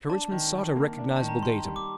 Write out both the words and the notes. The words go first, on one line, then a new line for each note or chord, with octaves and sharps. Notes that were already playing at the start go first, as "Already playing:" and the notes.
Sir Richmond sought a recognizable datum.
D4 A5
D#3
D#3
A#3
D4
D#3 A5
A#5
D#3 C6
G3
D6